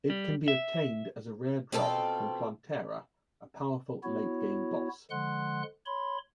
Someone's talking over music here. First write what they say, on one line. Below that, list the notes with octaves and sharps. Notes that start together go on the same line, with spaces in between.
It can be obtained as a rare drop from Plantera, a powerful late-game boss.
G3
E5
B2 C4 F4 A4
B3 E4 F#4 C#5
D3 F3 G#3 F#5 C6 F#6
C#5 B5 C6